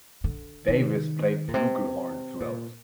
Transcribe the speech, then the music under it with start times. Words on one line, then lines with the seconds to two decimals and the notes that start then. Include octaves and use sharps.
Davis played flugelhorn throughout.
0.24 D3
0.68 D#3
1.48 A#2
1.54 C3
2.40 A#2